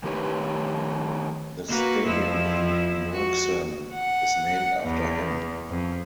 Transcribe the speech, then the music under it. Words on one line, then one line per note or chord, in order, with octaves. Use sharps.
The stadium in Merksem is named after him.
D#3 A3 G4 B4 C#5
A#3 F#4 B4
F2 F3 E4
F#4
F#5
E2
F2